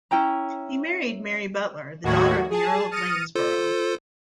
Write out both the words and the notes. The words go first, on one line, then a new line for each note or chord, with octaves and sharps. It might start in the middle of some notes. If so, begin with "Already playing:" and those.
He married Mary Butler, the daughter of the Earl of Lanesborough.
C#4 E4 G5 A#5
D#2 A2 F#4 G#6
G#4 A5
D#6 F6 A6 A#6 C#7 D#7
F4 A4 C5